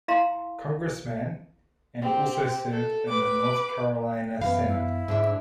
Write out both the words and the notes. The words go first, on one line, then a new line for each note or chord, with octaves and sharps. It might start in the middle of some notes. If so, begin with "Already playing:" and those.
Congressman and also served in the North Carolina Senate.
E4 F5 A#5 C6
C4 G4
A4
B4 D6
F#2 E3 B3 F5
E4
G#2 D3 D4 E5